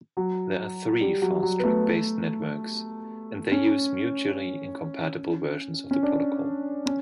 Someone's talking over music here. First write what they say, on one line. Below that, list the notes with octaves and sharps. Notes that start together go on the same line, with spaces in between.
There are three FastTrack-based networks, and they use mutually incompatible versions of the protocol.
F#3
G3
F#3
F#3
B3
A3
C#4
C#4
D4
C#4